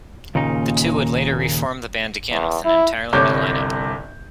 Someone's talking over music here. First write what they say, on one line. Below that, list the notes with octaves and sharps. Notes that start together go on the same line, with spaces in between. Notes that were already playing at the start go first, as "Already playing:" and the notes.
The two would later reform the band again with an entirely new line-up.
D#2 A#2 C#3 D#4
E2
E4
G1 C2 C3 C#5 D6 G6